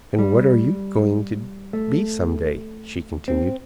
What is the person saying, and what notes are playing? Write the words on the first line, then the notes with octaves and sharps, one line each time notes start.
"And what are you going to be some day?" she continued.
G3
A3
C4